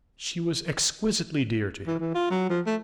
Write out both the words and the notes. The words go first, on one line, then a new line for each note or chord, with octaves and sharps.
She was exquisitely dear to him.
E3
E3
F4
F#3
F3
A3